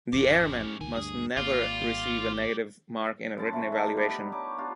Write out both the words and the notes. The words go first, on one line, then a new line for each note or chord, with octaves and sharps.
The airman must never receive a negative mark in a written evaluation.
G#1 F2 C#4 G4
C#2 C3 D#3 G#5
D2 G2 G#4
G#1 A#3 F4 G4 D5
F#2 A5 C6
E3 A3
D4 D#4 A4
G3 B3 G4 A#4
D#4 C#5 C#6 D6
B3 D4 F4 G4